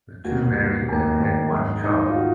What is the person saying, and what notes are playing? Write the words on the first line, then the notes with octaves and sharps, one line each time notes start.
The two married and had one child.
D#2 F#4
G#3
D#2 A#4
D#2
G#2
D#4
F4
F#4